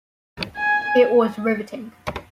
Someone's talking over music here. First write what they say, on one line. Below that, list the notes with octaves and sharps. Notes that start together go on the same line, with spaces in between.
It was riveting.
G#5